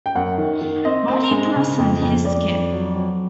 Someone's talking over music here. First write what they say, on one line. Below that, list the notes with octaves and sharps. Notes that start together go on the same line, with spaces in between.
Why'd he put us in his skit?
G5
F#2 F#5
D#3
D#3
C4 D#5
C4
G#3
C#3
F2
F2
F2 D5
F2
F#3
F#3